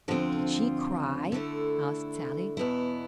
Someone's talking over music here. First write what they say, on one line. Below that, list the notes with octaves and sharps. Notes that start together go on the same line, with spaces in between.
"Did she cry?" asked Sallie.
D2 D3 F3 C4 F4
D3 A3 E4
E2 B2 B3 E4